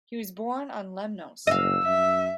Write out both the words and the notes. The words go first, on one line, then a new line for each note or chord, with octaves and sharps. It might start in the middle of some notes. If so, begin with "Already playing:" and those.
He was born on Lemnos.
F#1 D#5 F5 E6
F#2 E5